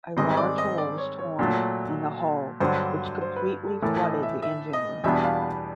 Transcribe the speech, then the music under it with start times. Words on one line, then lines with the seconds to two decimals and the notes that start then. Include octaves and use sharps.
A large hole was torn in the hull which completely flooded the engine room.
0.17 G#2 D#3 G3 C4 D#5
0.37 D5
0.58 D#5
0.78 D5
0.98 C#5
1.19 C#5
1.39 A#2 F#3 A3
2.60 G2 D3 F#3 C5
3.21 C5
3.36 B4
3.66 A4
3.82 A2 E3 A3 A#4
4.03 D#5
4.23 E5
4.42 E5
4.73 D#5
5.04 E2 B2 G3 B3 D4 E5
5.24 F5